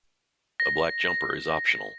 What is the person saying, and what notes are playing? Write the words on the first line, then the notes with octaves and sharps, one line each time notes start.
A black jumper is optional.
A#6